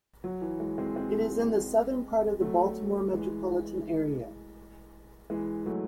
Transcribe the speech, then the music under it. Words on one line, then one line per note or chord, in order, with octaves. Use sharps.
It is in the southern part of the Baltimore metropolitan area.
F#3
E3
E3 G#3
G#3 C4
G#3 C4
F#3 A3
E3 G#3
E3 G#3
F#3 A3